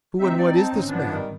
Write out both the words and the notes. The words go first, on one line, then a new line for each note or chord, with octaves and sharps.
"Who and what is this man?"
D2 C4 D#4 E5
D#4 D5
D#4 A5
G1 G#2 C#4
F3 B3 D4
D#3 G3